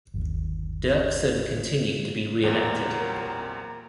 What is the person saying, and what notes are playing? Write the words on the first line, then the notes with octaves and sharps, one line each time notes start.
Dirksen continued to be re-elected.
G1 D#2
E2 A#2 F#3 G3 C4 A#4